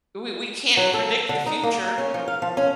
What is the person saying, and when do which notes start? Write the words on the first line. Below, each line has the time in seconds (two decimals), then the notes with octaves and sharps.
We we can't predict the future,
0.77 F#3
0.94 A4
1.29 D3
1.46 D#4
1.63 A#3
1.98 C#4
2.14 F3
2.28 F5
2.42 F3
2.57 C#4